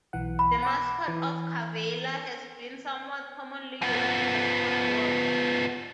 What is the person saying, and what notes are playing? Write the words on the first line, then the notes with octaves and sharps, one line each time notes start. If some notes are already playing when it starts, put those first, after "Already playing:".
The mascot of Cavalier has been somewhat commonly used in the sports world.
B1 E3 F#5
B5
F#5 D6 E6
E3
F3 B3